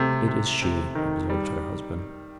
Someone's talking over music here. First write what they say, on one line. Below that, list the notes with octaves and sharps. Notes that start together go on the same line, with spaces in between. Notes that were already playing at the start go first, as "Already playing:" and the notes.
"It is she," observed her husband.
Already playing: C3 A3
C3
C3
D#3
G3